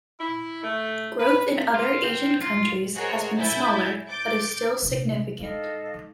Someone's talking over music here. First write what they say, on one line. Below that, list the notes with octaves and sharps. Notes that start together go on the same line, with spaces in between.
Growth in other Asian countries has been smaller but is still significant.
E4
A3
B4
F4
C4
F4
F#4 G#4 A#4 C5 C#5 D#5
E4 E5 G#5 G6 A6
D6 G6 A6 D7
A#1 C3
G#3 D#4 A4 D#5 F5